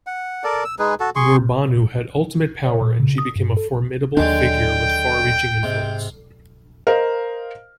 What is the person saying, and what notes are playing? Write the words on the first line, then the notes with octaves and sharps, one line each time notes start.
Nurbanu had ultimate power, and she became a formidable figure with far-reaching influence.
F#5
A4 A#4 D5
E6
G#3 D#4 G#4 B4
F#4 A4
G#4 C6 C#6
C#5
A#2
C#3
D#6
G2
A4
D#2 D3 F#3 G#3 D4 G5
G#2 C3
A#4 C5 D#5 F5